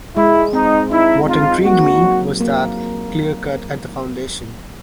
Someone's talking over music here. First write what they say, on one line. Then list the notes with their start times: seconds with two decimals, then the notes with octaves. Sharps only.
What intrigued me was that clear-cut at the foundation.
0.16 G#3 E4
0.53 C4 D#4
0.91 D#4 E4
1.28 C4 F4
1.65 A#3 F#4
2.03 F#3
2.40 A#3